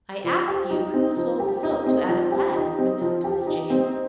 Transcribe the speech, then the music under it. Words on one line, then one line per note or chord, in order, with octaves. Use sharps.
"I asked you who sold the soap to Adam Ladd?" resumed Miss Jane.
F3
G4
D#4
C4
F3
G4
D#4
C4
F3
G4
D#4
C4
F3
G4
D#4
C4